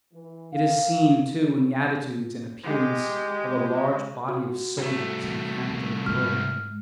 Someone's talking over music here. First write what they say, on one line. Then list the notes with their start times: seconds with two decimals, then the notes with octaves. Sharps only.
It is seen, too, in the attitudes and appearance of a large body of soldiers encamped in a grove.
0.13 E3
0.53 F5
2.63 G#3 G4
4.29 F#4
4.78 C2 A3
5.23 E3
5.69 D#3 G3
6.06 G#2 G#3 F6